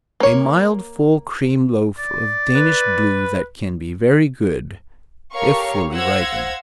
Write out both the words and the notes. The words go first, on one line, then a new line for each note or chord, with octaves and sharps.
A mild, full cream loaf of Danish blue that can be very good if fully ripened.
A#3 C#5
D5
B4
G4 A4 A#4 C#5 F5 C#6
C5 F5 F#5 E6 G#6 A#6